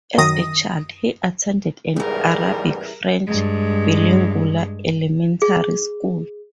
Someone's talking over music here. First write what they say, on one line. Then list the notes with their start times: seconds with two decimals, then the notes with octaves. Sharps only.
As a child, he attended an Arabic-French bilingual elementary school.
0.18 F#2 D#3 D#6 A#6
1.96 A1 E2 G#2 C#3 E3 G3 G#4 A#4
3.27 G2 G#3
5.42 G#4